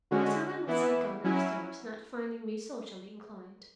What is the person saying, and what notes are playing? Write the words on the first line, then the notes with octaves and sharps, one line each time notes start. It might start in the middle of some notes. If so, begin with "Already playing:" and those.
Mr. Reynolds had gone up-stairs, not finding me socially inclined.
D3 G#3 C#4 F#4
E3 B3 E4
F#3 C#4 E4